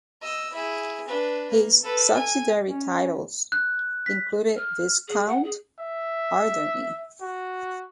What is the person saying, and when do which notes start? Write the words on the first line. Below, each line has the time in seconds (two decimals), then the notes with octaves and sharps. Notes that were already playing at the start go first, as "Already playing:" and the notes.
His subsidiary titles included Viscount Alderney.
0.22 D#5 E6
0.53 E4 G#4
1.08 D4 B4
1.51 A#3
1.83 A4 B4
2.14 G#5
2.68 C#4
3.52 F#6
4.06 B6
4.56 F6
5.07 G#4
5.27 F#5
5.43 G#4
5.79 E5
7.21 F#4